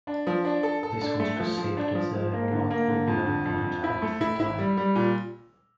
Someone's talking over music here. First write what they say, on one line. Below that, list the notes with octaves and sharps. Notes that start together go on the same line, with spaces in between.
This was perceived as a remarkable development at the time.
D4
F3
D4
A4
A4
D4
A3
F3
F3
D4
F3
F3
A#3
D3
A#3
D3
F2
D3
F2
F2
E4
A3
E4
E4
G3
G3
A#2